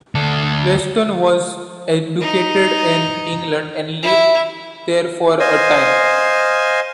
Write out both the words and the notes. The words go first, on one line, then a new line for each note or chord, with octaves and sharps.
Weston was educated in England and lived there for a time.
D2 A4
D#4
E4
C5 D#5 F5 G#5